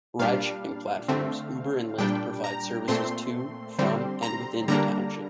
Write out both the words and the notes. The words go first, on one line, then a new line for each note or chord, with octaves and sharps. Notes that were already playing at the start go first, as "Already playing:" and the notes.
Ridesharing platforms Uber and Lyft provide services to, from and within the township.
A#2 G3 D4 F5
D3 A3 C4
A#2 G3 D4 G5
A#5
A#2 A3 C4 C6
D3 G3 C4
A#5
D3 G3 A#3 D4 A#5